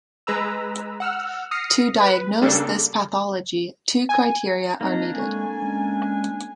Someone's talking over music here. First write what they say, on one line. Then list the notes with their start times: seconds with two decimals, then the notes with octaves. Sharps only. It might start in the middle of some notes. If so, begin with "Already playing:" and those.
To diagnose this pathology, two criteria are needed.
0.27 G#3 B4 A#5 E6
1.00 F#5 E6 F6
1.51 D#6 F6 A#6 C7 C#7
2.01 B4
2.42 C#3 G3 A#3 D4 A4
4.09 G#5
4.81 A#3 C4 D4 D#4 D#5 A#5
5.16 G#3 A4 G#5 C#6
5.62 G#3 C#4